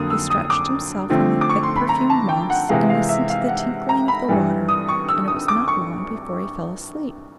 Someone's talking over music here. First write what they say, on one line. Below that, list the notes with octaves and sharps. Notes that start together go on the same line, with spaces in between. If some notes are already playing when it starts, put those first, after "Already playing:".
He stretched himself on the thick perfumed moss, and listened to the tinkling of the water, and it was not long before he fell asleep.
Already playing: F2 D3 F#3 A#3 D#6
E6
D#6
D6
D3 F3 A3 C4
D6
C#6
C6
B5
A#5
A5
G5
F#5
C3 E3 G#3 F5
F5
E5
F5
F#5
A#5
B5
G2 E3 G3
D#6
C#6
E6
D#6
D6
C#6